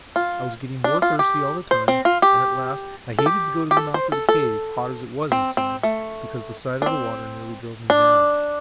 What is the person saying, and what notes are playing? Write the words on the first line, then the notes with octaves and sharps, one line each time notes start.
I was getting more thirsty all the time, and, at last, I hated to go to the mouth of the cave, hot as it was inside, because the sight of the water nearly drove me mad.
F4
D4
F4
G4
C5
C4
F4
G4
A4
G4
G4
A4
C5
A4
A4
C4
C4
A3
D4
C4
D4